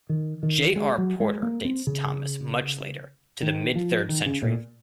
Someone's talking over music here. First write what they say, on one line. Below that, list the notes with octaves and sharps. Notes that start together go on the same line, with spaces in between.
J. R. Porter dates Thomas much later, to the mid-third century.
D#3
D#3
G#3
F#3
G#3
A#3
C4
C#3
D#3
F3
D#3
C#3
A#2